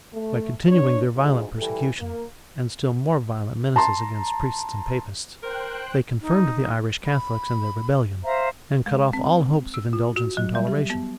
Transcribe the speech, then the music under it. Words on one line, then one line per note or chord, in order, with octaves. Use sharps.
By continuing their violent persecution, and still more violent menaces against priests and Papists, they confirmed the Irish Catholics in their rebellion, and cut off all hopes of indulgence and toleration.
A3
D4 C#5
D2 G#2 F3 G#3
E3 G3 A4
A#3
A5 A#5 C6
A#4 C5 G5 F#6
D#4
B5
C5 E5 F5 A#5
G#3
C4
E6
F4
F#4
F#3
G3
G4
B3